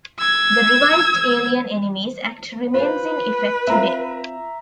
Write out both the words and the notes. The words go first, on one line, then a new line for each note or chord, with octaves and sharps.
The revised Alien Enemies Act remains in effect today.
E6 G#6
F4 B4 C5
C4 F4 E5 A#5